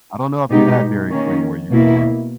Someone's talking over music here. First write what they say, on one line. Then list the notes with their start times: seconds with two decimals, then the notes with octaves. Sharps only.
I don't know if you had Dairy Queen where you grew up.
0.50 B2 G#3 B3 D#4 G4
1.10 D#3 A#3 C#4
1.71 B2 A#3 E4